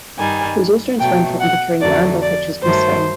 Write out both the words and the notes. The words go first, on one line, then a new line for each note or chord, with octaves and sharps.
He was also instrumental in procuring the Arundel pictures from Spain.
G2 D#3 G3 G#5
B2 F#3 A3 G5
F#5
F2 D3 F#3 A3 D5
D5
G2 D#3 F#3 A3 C5